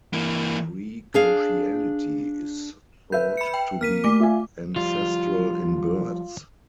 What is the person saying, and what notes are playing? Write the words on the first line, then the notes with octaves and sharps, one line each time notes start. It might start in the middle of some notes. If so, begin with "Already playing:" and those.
Precociality is thought to be ancestral in birds.
E3 A#3
D4 G#4 F5
B4 E5 G6
B5 C#7
G5
A#3 F6 B6 D#7
A3 D6
F4 E5 G#5
F3 G3 F4